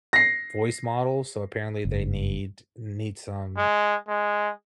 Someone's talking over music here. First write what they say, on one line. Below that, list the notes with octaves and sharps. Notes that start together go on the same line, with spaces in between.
voice models, so apparently they need need some
A#6 C7
F#1
G#3
G#3